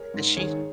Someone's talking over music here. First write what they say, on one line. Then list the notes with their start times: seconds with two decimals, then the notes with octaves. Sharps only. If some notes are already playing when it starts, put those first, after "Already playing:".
And she
Already playing: G#4 A#4 C#5
0.14 G#2
0.37 D#3 G#4 C#5